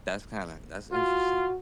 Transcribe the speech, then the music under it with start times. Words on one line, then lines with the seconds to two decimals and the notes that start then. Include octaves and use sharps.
That's kinda that's interesting.
0.93 F4 F#4